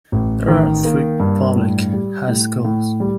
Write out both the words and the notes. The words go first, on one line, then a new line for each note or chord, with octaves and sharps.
There are three public high schools.
A1
D#3
A#3
G2
A2
G3
A2
A2
G3